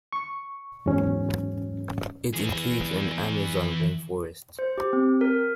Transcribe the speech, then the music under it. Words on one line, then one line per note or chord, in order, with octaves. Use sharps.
It includes an Amazonian rainforest.
C#6
E2 G#2 F#3 C#4
E3 G#4
C5
G4
C4
A#4